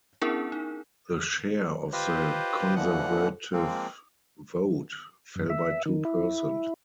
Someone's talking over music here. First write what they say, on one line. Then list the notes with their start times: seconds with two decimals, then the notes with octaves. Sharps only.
The share of the Conservative vote fell by two percent.
0.22 B3 C#4 D4 E4 G#4 A#4
0.52 D#4
1.93 F4 G4 B4 C5 D#5
2.75 D#2 D3 E3 F3 F#5
3.53 F3 G#3 A#3 C4
5.35 F#2
5.50 E5
5.86 D#3
6.05 E4